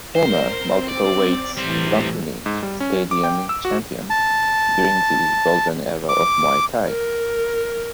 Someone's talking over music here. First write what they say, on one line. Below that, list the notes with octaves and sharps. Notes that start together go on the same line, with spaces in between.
Former multiple weights Lumpinee Stadium champion during the golden era of muay thai.
A#4 C5
C4
D5
A2 E3 G3 C5
G#2
G3
C#4
D6
G5
E6
F#4
A5
D6
A#4